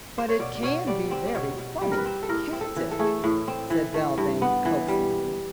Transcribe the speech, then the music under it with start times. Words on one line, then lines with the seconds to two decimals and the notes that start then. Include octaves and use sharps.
"But it can be very funny, can't it?" said Belvane coaxingly.
0.18 C5
0.29 C#5
0.39 B2 D5
0.55 D5
0.63 B2 C#5
0.87 G3 D5
1.10 C4 D5
1.26 D5
1.34 B2 C#5
1.58 B2
1.81 G3
1.91 A#4
1.98 B4
2.06 C4
2.23 A4
2.29 A2 A#4
2.53 C4
2.61 A4
2.76 E3
2.91 A4
2.99 A3 G#4
3.07 A4
3.24 A2
3.48 C4
3.70 E3
3.94 A3
4.18 G2
4.42 B3
4.65 E3
4.88 G3